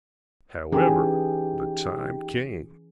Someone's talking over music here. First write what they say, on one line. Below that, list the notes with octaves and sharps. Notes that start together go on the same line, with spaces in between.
However, the time came.
E3 C#4 D#4 G4 G#4 G5